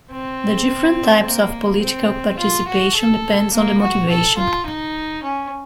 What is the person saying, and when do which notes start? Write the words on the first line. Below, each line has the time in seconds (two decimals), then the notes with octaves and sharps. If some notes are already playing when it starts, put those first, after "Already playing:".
The different types of political participation depends on the motivation.
0.11 C4
1.25 A#3
1.82 C4
2.38 F4
2.67 F#4
2.96 A4
3.53 A#3
3.81 F#4
4.09 A4
4.38 F4
4.66 D#4
5.23 C#4